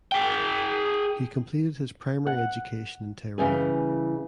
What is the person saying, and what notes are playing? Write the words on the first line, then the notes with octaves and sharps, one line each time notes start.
He completed his primary education in Tehran.
G#4 G5
F#5
C#3 E3 G3 G#4